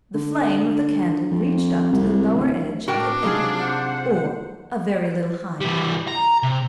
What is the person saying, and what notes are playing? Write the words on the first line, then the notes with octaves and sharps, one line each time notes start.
The Flame of the Candle reached up to the lower edge of the Paper, or a very little higher.
D3
F2
C2
D1
A2 D4 F#4 A#4 G5
C3 F#3 G#3 D#4 F4 G#4
C5 F#5
E3 G3
A#5
C3